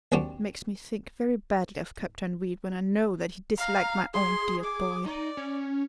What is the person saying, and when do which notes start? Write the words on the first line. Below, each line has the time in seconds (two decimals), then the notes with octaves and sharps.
It makes me think very badly of Captain Reid when I know that he disliked my own dear boy.
0.12 D#2 C4 D4 F#4 G4
3.58 F5 A#5
4.14 G#4 C6
4.64 D6
5.06 D#4 D5
5.37 C#4